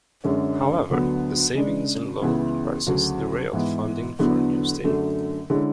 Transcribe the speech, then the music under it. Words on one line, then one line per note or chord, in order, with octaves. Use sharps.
However, the savings and loan crisis derailed funding for a new stadium.
F#2 D3 G#3 C#4
D2 D3 F#3 B3
C#3 G#3 D4
C#2 C#3 E3 B3 E4
D2 C#3 F#3
G#2 E3 B3
E2 D3 F#3 B3 E4
F#2 D3 F#3 A3
D3 G#3 C#4 E4